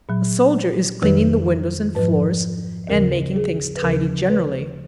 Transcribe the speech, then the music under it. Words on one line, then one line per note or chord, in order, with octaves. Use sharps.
A soldier is cleaning the windows and floors, and making things tidy generally.
A#2 F#3
F2 D#3 F#3 B4
G#2 F3 B4
D#2 C#3 F3 A#4
G#4
B4
D#2 C#3 F3 A#4
B4